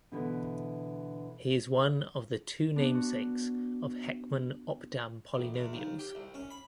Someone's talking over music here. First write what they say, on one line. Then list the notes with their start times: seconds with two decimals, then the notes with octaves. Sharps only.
He is one of the two namesakes of Heckman–Opdam polynomials.
0.12 B2 D3 E3 E4 B4
2.76 B3 D4
2.95 F#4
5.35 A1
5.54 E2
5.73 D#2
5.99 G4
6.15 C2
6.34 C#4
6.50 B5